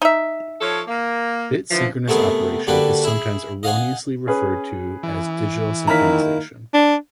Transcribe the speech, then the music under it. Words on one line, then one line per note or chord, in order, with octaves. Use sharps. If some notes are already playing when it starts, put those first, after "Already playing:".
Bit-synchronous operation is sometimes erroneously referred to as digital synchronization.
D#4 E5
F3 A4 C#5
A#3
D3 E3 F3
C3 A3 B3 G#4 A#4
D3 G3 A#3 D4 F#4 B4
E4 G#4
D#5 F5 F#5 G#5
C#4 G#4 B4
E3
D#3 A#3 E4 A#5 F6 B6
D4